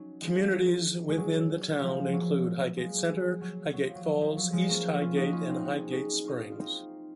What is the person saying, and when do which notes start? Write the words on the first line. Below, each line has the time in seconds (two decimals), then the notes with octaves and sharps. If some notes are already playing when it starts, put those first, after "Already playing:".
Communities within the town include Highgate Center, Highgate Falls, East Highgate, and Highgate Springs.
Already playing: F#3 C#4 D#4
0.21 F3 G#3
1.09 G#3
1.18 F#3
1.82 F3 G#3
2.13 F#3 A#3
2.77 F3 G#3
3.41 F#3
3.73 F#3
3.84 F3
3.95 F#3
4.05 F#3
4.21 F3
4.37 F#3
4.53 F3 G#3
4.69 A#3 C#4
5.00 C#4 F4
5.17 D#4 F#4
5.27 F#4
5.32 C#4 F4
5.49 C4 D#4
5.65 F#4
5.78 G#4
5.91 D#4 F#4
6.24 D#4 F4 F#4
6.51 F4
6.61 C4 D#4